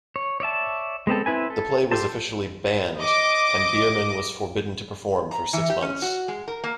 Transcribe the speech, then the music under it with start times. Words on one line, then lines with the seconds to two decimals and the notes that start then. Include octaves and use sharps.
The play was officially banned and Biermann was forbidden to perform for six months.
0.16 C#5
0.40 C#5 D5 E5 A5
1.07 G#3 B3 C4 A4
1.26 C4 E4 B4 G#5
1.50 A4
1.91 G4 A4 C5 A5
2.99 D#5 D6
5.31 A#5
5.53 E3
5.70 G4
5.82 C#4
6.02 F#4
6.28 G#3
6.48 A#4
6.64 A#3